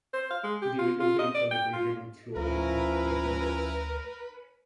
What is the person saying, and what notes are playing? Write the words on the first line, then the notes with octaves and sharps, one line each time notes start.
The window frames are decorated with floral and leaf motifs.
C5
F5
G#3
G4
F4
F4
D#5
D5
G5
F4
D2 F3 C#4 E4 A#4 B4